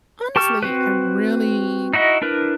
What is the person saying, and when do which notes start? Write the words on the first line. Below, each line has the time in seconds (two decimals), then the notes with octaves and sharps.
honestly, I really
0.36 G4 A5 C#6 F6
0.63 C4 F#4 B4
1.93 D#4 E4 F#4 D#5
2.22 D4 E4 A#4 B4